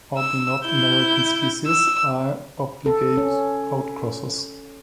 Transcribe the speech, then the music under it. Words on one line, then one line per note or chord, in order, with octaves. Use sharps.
All the North American species are obligate outcrossers.
E6
E4 G6
E6
A4
C#4